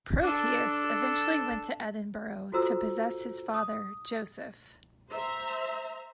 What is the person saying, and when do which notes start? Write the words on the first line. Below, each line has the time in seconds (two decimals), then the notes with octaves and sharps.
Proteus eventually went to Edinburgh, to possess his father, Joseph.
0.21 D4 A4
2.52 F4 F#4 A4 C5 A#5 E6
3.54 D#6
5.10 C5 E5 A#5